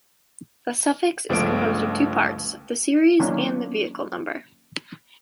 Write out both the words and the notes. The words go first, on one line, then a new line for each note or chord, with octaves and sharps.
The suffix is composed of two parts: the series and the vehicle number.
G1 C#2 F3 A3 D7
D#3 F#3 A#3 C#4 D4 F4